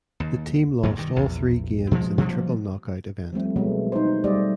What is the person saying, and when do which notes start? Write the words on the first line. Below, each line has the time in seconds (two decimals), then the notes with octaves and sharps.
The team lost all three games in the triple knockout event.
0.20 D#2
0.83 G2 A#2 F#3 A3
0.96 G2 D#3
1.16 A#1 E2
1.91 B2 F3 F#3 G#3
2.18 B2 F3 G3 A#3
3.33 F3 G3 A3 C4
3.56 B2 E3 F#3 G#3 A3 B3
3.92 D#4 C5
4.24 G3 A3 G4 C5 D5 D#5